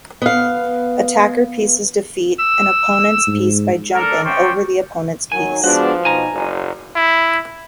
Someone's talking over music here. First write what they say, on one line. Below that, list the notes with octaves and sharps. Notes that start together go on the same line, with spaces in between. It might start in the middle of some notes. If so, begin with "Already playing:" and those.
Attacker pieces defeat an opponents piece by jumping over the opponents piece.
B3 F5
E6
G#2
D4 A4 A#4
C4 C#4 C5 D5 G5 C#6
D#3 F#3 G#5
F3 G#3 B3 D4 F#4
B2 D#4 G#5 A#5
F#1 G#3
E4